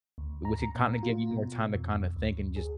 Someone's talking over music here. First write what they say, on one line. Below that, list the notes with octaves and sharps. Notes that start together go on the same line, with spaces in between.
Which it kinda give you more time to kinda think and just
D2
A#5
A#2
F4
B2
F2
D2
G#4